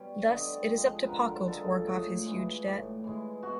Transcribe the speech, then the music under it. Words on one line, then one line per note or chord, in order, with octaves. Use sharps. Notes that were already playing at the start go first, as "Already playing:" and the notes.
Thus, it is up to Pockle to work off his huge debt.
Already playing: B2 G3 C#5
D3 D#5
D5
D#5
F3 G#3
D3 A#4 B4
F3 G#3 A4
A2 G#4
E3 G#3
A2
E3 G#3
B2 F#4